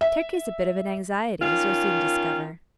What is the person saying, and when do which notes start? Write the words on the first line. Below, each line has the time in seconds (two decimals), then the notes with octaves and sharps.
Turkey's a bit of an anxiety, as you'll soon discover.
0.01 E5
1.42 D#3 C#4 F4